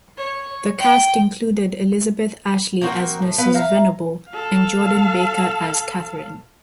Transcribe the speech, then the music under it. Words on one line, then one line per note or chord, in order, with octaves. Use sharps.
The cast included Elizabeth Ashley as Mrs. Venable and Jordan Baker as Catharine.
C#5
G5
A#3 C4 D#4 F#4
A2
B3 B4 F5
E5 F5 A#5
A4 F5